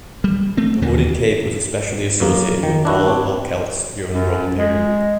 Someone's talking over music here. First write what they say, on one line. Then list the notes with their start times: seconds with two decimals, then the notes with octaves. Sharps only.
The hooded cape was especially associated with Gauls or Celts during the Roman period.
0.24 G3
0.57 A3 C4
0.82 D#2 D3 E3 A#3
2.20 F#2 A#3
2.63 D#3
2.85 D4 E4 F#4
3.08 C4
4.12 F#2
4.58 G#3